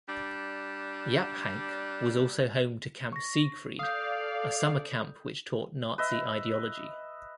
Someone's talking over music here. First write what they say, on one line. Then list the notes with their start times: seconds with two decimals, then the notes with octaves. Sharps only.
Yaphank was also home to Camp Siegfried, a summer camp which taught Nazi ideology.
0.07 G3 D4
3.13 C#6 A#6
3.79 A4 D5 F5 D#6 G6
5.98 B4 D#5 E5